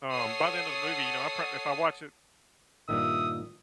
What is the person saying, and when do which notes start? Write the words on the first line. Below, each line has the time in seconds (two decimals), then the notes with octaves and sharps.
um, by the end of the movie, you know, I pr if I watch it
0.11 A4 C#5 F#5 D#6 C7
2.89 G2 A#2 D#3 E5 D#6